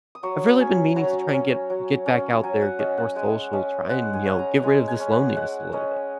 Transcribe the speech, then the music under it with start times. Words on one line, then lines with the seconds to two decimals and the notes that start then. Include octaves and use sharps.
I've really been meaning to try and get get back out there, get more social, try and, you know, get rid of this loneliness a little bit.
0.15 D#6
0.23 F#3 C#6
0.60 C#4 G#5
0.96 F#3 A#5
1.33 C#4
1.70 F#3
2.06 C#4
2.43 F#3 G#5
2.62 F#5
2.79 C#4 D#5
2.98 F#5
3.16 G#3 G#5
3.53 C#4 D#5
3.89 G#3 F#5
4.13 G#5
4.26 C#4
4.39 A#5
4.63 G#3 G#5
4.88 G#5
5.00 C#4
5.12 F#5
5.37 G#3 F#5
5.73 C#4 D#5